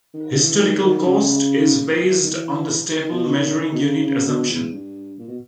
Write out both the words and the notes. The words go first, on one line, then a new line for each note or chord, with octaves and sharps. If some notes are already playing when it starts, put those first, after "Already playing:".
Historical cost is based on the stable measuring unit assumption.
D#3
E3
D#3
D#3
D#3
C#3
E3
D#3
E3
D#3
B2
D#3
D#3
B2
C#3
C#3
B2
E2
G2
A#2
B2